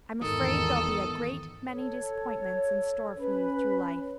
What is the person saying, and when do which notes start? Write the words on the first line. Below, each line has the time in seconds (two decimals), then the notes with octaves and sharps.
"I'm afraid there'll be a great many disappointments in store for you through life."
0.22 G#1 E2 D#3 A4 D#6
1.67 A4 C#5
3.19 C#4 B4 B5